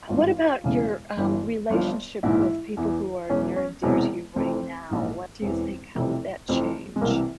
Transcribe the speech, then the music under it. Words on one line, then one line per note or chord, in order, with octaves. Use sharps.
Uh, what about your, um, relationship with people who are near and dear to you right now? What do you think how would that change?
G#1 G2 E3 F4
E1 E2 C#3 E3
G1 G2 E3
G1 G2 F3
A#1 G#2 E3 E4
E2 E3
E1 E2 E3 C#4
C#4
E1 E2 C3 E3 C4
F1 F2 E3 C4
A#1 G#2 E3
E1 E2 E3 C4
F1 F2 C3 E3
F1 F2 E3 C4
G#3
C2 C3 E3 A#3